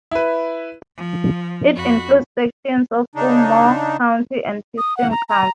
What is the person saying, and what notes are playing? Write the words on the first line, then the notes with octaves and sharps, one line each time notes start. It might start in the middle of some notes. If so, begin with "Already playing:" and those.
It includes sections of Fillmore County and Houston County.
E4 B4
F3
F2 F#4 B5
C#3 D4 D#4
D#6
F#5
A#5
A#5